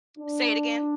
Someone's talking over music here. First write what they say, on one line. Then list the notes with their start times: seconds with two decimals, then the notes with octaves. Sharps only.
Say it again?
0.18 D4